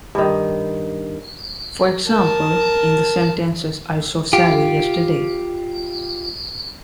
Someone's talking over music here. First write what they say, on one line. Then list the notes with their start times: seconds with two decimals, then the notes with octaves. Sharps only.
For example, in the sentences I saw Sally yesterday.
0.15 G2 D#3
2.07 A#4 A5
4.33 F4 G4